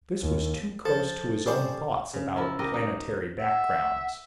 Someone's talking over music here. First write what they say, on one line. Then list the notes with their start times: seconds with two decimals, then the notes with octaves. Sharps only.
This was too close to his own thoughts about planetary backgrounds.
0.23 D#2
0.85 F3 A4
1.46 C#3 G3 C5
2.14 C#3
2.36 F3 A#3 E4
2.59 F#4 G4 A#4 D#5
2.74 D#4
3.39 E5 F#5